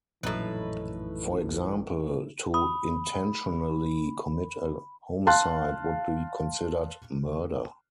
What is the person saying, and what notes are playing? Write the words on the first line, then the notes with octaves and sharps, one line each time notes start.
For example, to intentionally commit a homicide would be considered murder.
A#1 F#2 A2 E3 D#4 B4
B5 D#6
F5 A5 C6 F#6